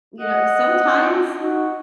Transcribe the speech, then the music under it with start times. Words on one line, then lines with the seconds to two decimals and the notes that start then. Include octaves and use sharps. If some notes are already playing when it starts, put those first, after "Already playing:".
you know, sometimes
0.20 D#5 F#5
1.38 D#4 F#4